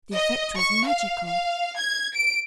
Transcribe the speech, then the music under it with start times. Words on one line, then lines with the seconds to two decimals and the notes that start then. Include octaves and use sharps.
The effect was magical.
0.15 D#5
0.58 C#6
0.87 F5
1.27 F5
1.79 G#6
2.15 D7